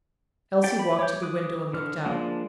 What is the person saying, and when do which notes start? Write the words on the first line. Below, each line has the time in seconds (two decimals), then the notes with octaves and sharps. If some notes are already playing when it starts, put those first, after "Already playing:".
Elsie walked to the window and looked out.
0.64 G4 D5 G5
0.79 B5
0.99 C#5 D6 G6
1.22 D6 D#6 F#6
1.73 D3 F6
2.05 F3 G#3 A#3 D4